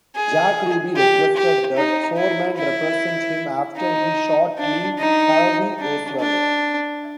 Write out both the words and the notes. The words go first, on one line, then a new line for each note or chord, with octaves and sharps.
Jack Ruby requested that Foreman represent him after he shot Lee Harvey Oswald.
G#4
G4
G4
D#4
E4
E4
D#4
D4
D#4
D4
D4